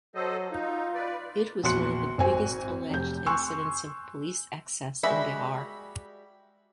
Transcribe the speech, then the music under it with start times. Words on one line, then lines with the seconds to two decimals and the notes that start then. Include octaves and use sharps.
It was one of the biggest alleged incidents of police excess in Bihar.
0.15 F#3 A4 C5 D#5
0.51 D#4 F4
0.95 B4 D5
1.63 A#1 E2 F#4 C6 F#6 C#7
2.18 G#1 C4 F#4 G#5
2.90 F1 G6
3.26 G#5 C6 C#6 E6 F#6
5.03 G3 G#3 F#4 E5 B5